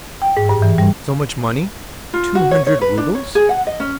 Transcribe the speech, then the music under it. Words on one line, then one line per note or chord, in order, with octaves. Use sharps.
So much money--two hundred roubles!
G5
G#2
G2
E3
G3
F4
F#4
C#5
C#5
B4
D4
C#5
G#4
F#5
D#5
C#4